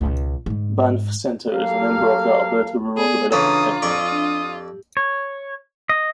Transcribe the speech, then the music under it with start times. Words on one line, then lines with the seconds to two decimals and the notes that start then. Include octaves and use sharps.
Banff Centre is a member of the Alberta Rural Development Network.
0.01 C#2 B2
0.46 G#2 D3
1.53 F#3 A#3 G4 A4 F5
2.97 B3 G#4 A4 D5
3.32 C#3 E3 D4 F4 A4 A#5 D#6
3.82 F2 D5 C#6 D#6
4.12 D4
4.43 G4
4.97 C#5
5.89 D#5